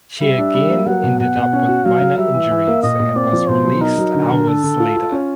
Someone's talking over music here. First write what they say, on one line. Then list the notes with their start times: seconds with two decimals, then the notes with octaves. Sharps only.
She again ended up with minor injuries and was released hours later.
0.21 G3 E5
0.38 D4
0.54 G3
0.70 A#3
0.86 F#3 F#5
1.03 B2
1.19 B2 F#5
1.36 B2
1.53 C#4
1.68 F#4
1.85 F#3 F5
2.01 F#3
2.17 G3 E5
2.34 E3
2.51 E3
2.67 A#3
2.83 A#2 D#5
3.00 A#2
3.16 C4 D5
3.33 F3
3.48 B2 C5
3.64 F#3
3.81 D#4 A#4
3.98 F#3
4.14 D3
4.31 D3
4.47 D3 A4
4.64 D3
4.80 F4
4.96 F4
5.12 C#4